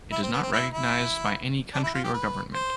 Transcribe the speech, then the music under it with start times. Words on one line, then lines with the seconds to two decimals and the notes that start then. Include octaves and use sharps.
It is not recognised by any country or government.
0.12 E4
0.22 C4
0.33 B3
0.43 C4
0.53 E4
0.73 E4
1.73 D4
1.83 E4
1.94 F4
2.04 G4
2.14 B4
2.54 C5